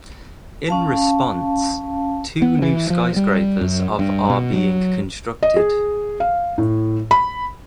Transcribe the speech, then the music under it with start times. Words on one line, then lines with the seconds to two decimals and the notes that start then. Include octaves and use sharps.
In response, two new skyscrapers of are being constructed.
0.68 C#4 F5 A5
2.42 B3
2.62 E3
2.90 F3
3.16 G3
3.61 F#2
3.99 G2
4.30 B2
4.53 F#3
5.43 D#5
5.56 G#4
6.20 F5
6.58 A2
7.11 B5